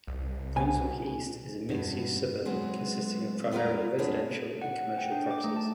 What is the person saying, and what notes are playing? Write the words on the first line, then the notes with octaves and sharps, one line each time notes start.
Brunswick East is a mixed-use suburb, consisting of primarily residential and commercial properties.
C2
B2 G#5
G2 B2
F#3 G#3 B3 C4
G3 B3 F4 A#4 B4 A#5
G3 B3 D4 G#4 C#5
F#5
F#5
G5
D4
D6
A3
A5